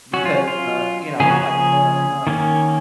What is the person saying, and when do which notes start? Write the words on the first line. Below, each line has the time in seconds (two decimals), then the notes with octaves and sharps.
because, uh, you know, like, the, um,
0.13 F#3 C#4 F#4
0.25 F4
0.48 F4
1.20 C#3 F3 A#3 C#4 G#4
1.31 F#4
1.42 G#4
2.27 D#3 A#3 C#4